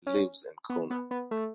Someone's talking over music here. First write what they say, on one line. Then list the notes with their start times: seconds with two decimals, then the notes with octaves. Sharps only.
He lives in Khulna.
0.07 C#4
0.70 B3
0.90 B3
1.11 B3
1.31 A3